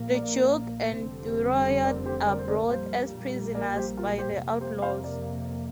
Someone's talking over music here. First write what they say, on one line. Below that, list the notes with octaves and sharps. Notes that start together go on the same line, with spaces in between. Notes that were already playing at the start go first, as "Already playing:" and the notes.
The Duke and Thurio are brought as prisoners by the outlaws.
Already playing: A#1 A#2 A#3
A#4 D5
F1 F2 D3 G3 C4
A#4 D5
G4 C5
A#4 D5
C5
A#4 D5
A#1 A#2 G3 A#3 C5 F5
A#4 D5
G4 C5
F4 A#4
G4 C5
F2 C3 A#3
G4 C5
C5 F5
A#4 D5